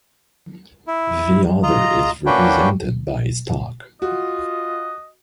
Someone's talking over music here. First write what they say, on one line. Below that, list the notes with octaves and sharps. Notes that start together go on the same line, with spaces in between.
The other is represented by Stock.
E4
F4 D#5 A#5
A#3 C#4 D4 F#4 B4 G5
F4 F#4 D#5